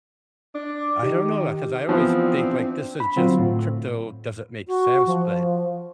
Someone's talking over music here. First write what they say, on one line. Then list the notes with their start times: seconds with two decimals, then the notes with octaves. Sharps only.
I don't know, uh, ‘cause I always think, like, this is just crypto doesn't make sense, but
0.54 D4 D6
1.03 D#3 G4
1.89 E3 F3 B3 C4
2.23 D4
3.00 B5
3.16 D3 F#3 C4 F4 F#4
3.39 A2
4.67 F#4
5.06 F3